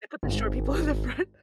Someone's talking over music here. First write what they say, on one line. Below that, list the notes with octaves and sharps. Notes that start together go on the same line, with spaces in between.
They put the short people in the front.
G#1